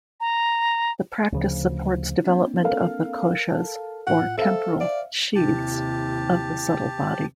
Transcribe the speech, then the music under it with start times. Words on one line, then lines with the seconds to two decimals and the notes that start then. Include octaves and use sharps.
The practice supports development of the koshas, or temporal sheaths, of the subtle body.
0.20 A#5
1.32 D2 C#3 F3
2.25 A#3 C4 D4
2.63 A4 A#4 F5
3.50 A5
4.07 A2 F4 F#5
4.38 A4 C5 E5 F5
4.80 D5
5.35 D#2 C3 E4 G4 A5